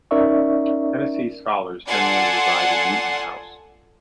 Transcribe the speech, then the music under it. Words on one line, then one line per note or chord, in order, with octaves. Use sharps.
Hennessy Scholars generally reside in Wotton house.
C#4 D#4 A#4 D5 E5 C#6
F4 A4 D5 F#5 G#5 C6